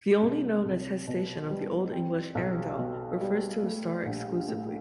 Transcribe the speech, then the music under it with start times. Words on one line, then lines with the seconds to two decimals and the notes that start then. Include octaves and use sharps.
The only known attestation of the Old English "Earendel" refers to a star exclusively.
0.22 C2
0.65 C2
1.08 B2
1.50 G3
1.92 C4
2.35 B1
2.78 B2
3.21 G3
3.64 A3
4.05 A#1
4.48 A2